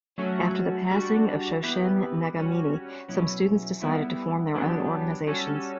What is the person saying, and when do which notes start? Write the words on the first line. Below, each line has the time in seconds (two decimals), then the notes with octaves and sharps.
After the passing of Shoshin Nagamine, some students decided to form their own organisations.
0.18 F#3 A3 C#4 F#4
0.91 G3 D4 F#4
1.63 E3 B3 E4 G4 B4
2.36 G3 C#4 F#4
3.08 B2 F#3 C#4 E4
3.82 G3 B3 E4
4.54 F#3 B3 D4 G4
5.27 G3 C#4 F#4 A4